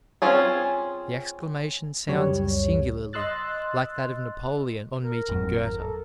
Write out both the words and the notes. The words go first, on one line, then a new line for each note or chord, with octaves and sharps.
The exclamation sounds singularly like that of Napoleon on meeting Goethe.
C4 C#4 F4 G#4
C#2 F#2 G3 C#5
D#5 C6 E6 F#6 A6
A#4
G#1 F2 F#3
A4